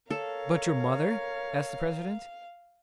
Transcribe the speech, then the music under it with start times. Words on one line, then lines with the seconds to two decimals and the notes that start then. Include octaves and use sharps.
"But your mother?" asked the president.
0.10 A4 A#4 C#5 F5